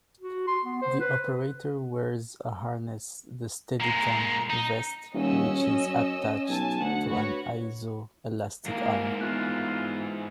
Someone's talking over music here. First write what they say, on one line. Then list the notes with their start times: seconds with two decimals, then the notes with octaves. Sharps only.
The operator wears a harness-the Steadicam "vest"-which is attached to an iso-elastic arm.
0.20 F#4
0.47 C6
0.65 B3
0.82 C5
1.00 B4
3.80 A#2 G#3 A#5
4.50 D#4 A#5
5.14 D#1 C#4 D#5 E6
5.60 F#2
6.48 B1 G#5 A5
6.80 D2 F#5
7.09 F#4 B4 C#5
8.66 G#2 A#3 E4 A#4 C7
9.20 E3 B3 F4 F#6